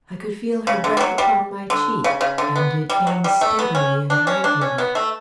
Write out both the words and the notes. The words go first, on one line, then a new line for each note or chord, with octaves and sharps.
I could feel her breath upon my cheek and it came steadily and regular.
C#3
D3
G3
F#3
G3
D3
C#3
C#3
D3
B3
G3
F#3
G3
A3
B3
C#4
D4
C#4
D4
C#4
B3
A3